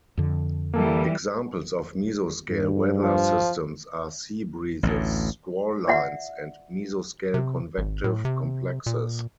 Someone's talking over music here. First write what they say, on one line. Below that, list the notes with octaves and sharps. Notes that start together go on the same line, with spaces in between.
Examples of mesoscale weather systems are sea breezes, squall lines, and mesoscale convective complexes.
F2 D3
E3 G3 A#3 A4
G2
F3
A1 D2 A2
D5 E5 F#5
C3
G#1
A2
C3
A#2